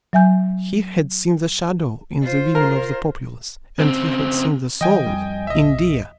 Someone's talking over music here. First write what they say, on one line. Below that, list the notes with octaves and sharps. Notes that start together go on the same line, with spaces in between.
He had seen the shadow in the women of the populace, and he had seen the soul in Dea.
F#3 E5 G#5 G6
F4 C5
A#4
C#3 C4
E3 D#5 G5 G#5
F2 G3
D#1 A#1 D#5 E5